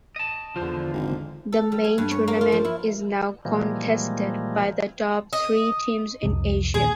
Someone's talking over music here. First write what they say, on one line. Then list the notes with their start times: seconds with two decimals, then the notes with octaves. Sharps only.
The main tournament is now contested by the top three teams in Asia.
0.16 D#5 A5
0.56 E2 D3 F3 F4 C5
0.93 G#1
1.52 A4
1.72 G3
1.84 G#5
1.98 G2
2.11 C#5
2.28 A#3
2.41 F4
2.52 F3
2.65 E4
3.45 A#2 E3 F3 G3 G#3 A#3
5.33 D#5
6.23 C2 F2 C3
6.74 A#1 D#2 G#4